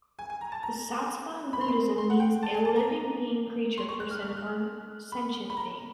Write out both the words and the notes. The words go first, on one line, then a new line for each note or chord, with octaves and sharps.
The Sattva in Buddhism means "a living being, creature, person or sentient being".
G#5
G#5
A#5
A5
A#5
B5
C6
B5
C6
F#5
G5
A5
G#5
A5
A#5
C6
C#6
F#6
F6
F6
F#6
B5
B5
A#5